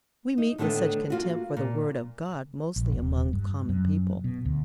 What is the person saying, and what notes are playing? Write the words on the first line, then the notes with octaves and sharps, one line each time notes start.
We meet with such contempt for the Word of God mostly among the common people.
D#4
A2 D3 D#3 A3 B3
A#3 F4 F#4
A#2
A#1
D#1
G2
F#2
B2
D2